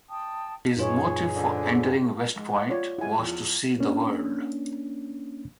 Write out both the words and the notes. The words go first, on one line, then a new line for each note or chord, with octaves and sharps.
His motive for entering West Point was "to see the world".
G5 A5 D#6
F#2 A#2 D#4 F4 G#4 B4 C#5
G#2 D3
G#2
F#5
F4 C#5 D5
G3 G#3 E4 F#4 G#5
E2 F3
A#3 C#4 D4